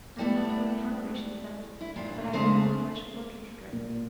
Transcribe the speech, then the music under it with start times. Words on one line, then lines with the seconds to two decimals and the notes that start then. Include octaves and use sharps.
"I'm not very hungry," she said, "but I want some fresh water to drink."
0.18 G3 A3 E4 D5
1.81 E4
1.96 D#2 A#2 D4 F4
2.33 C#3 G#3 A3 C4 D4
3.73 A#2